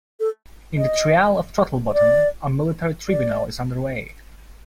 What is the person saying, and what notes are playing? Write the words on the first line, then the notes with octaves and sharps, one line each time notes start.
In the "Trial of Throttlebottom" a military tribunal is underway.
A4
D#5
C5
D5
D5